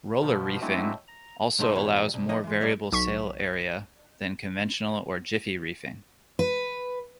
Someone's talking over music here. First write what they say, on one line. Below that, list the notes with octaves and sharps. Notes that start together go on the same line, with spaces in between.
Roller reefing also allows more variable sail area than conventional or jiffy reefing.
B2 F3
F#3 G#3 A3 C4 D4 E4
A#5
C2 G2 A3 D#4 E5 C6
E2 A#2 G3 C#5 B5
C2
F3 A#3 D#4 C#5 D#5
E3 G#3
G#2 G3 A3
B1 C#6 B6
B4